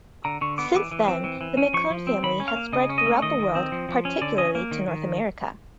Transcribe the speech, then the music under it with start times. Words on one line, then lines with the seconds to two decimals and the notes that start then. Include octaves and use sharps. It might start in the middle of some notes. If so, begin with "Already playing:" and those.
Since then, the McCunn family has spread throughout the world particularly to North America.
0.25 D3 A#5
0.41 D3 C#6
0.58 B3 D6
0.74 E3 D6
0.91 E3
1.08 C4
1.24 E3
1.41 E3
1.57 C#4
1.74 F3 C#6
1.90 F3
2.07 C4
2.23 D#3 B5
2.40 C#4
2.48 F5
2.56 A#3
2.73 C#3 D#5
2.89 C#4
2.98 D#5
3.06 A3
3.22 D#3 D#5
3.39 D#3
3.55 C4
3.72 F3
3.89 F3
4.05 C#4
4.22 D3 D5
4.38 C#4 D#5
4.55 A#3
4.71 D#3
4.88 D#3